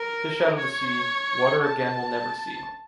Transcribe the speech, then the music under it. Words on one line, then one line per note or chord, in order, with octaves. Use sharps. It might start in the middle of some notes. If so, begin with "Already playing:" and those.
Fish out of the sea, water again will never see.
Already playing: A#4
C#5
A5